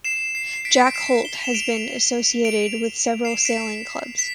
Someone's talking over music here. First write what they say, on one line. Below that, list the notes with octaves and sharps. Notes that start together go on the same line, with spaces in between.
Jack Holt has been associated with several sailing clubs.
C7 E7
C7
C7
B6 D7
D7
C7 E7
G7
F7
E7
D7 F7
D7 F7
C7 E7
E7
B6 D7
B6